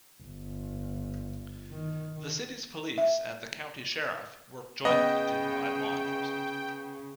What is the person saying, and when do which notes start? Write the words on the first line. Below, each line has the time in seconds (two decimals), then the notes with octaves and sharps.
The city's police and the county sheriff work jointly to provide law enforcement.
0.23 G1
1.72 D#3
2.98 E5
4.85 C#3 B3 D#5 G5